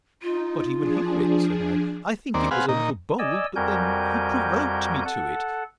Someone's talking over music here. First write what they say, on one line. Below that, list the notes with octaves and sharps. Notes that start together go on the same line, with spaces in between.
But he would hear it! said I: I think it was a little bold; but then he provoked me to it.
D#4 F4
F3 D4 G#4
D#2 A#3 C4 D5
C4 G#4 B4 F5 F#5
A#2 D#4 A#5
D5 D#5 G#5 E6
F2 G3 F#4 A#4 G#5 G6
A4 F#5